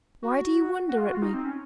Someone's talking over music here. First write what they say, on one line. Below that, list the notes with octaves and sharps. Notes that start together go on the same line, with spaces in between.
Why do you wonder at me?
F#4
F#4
F4
F#4
F4
D#4
C4
C#4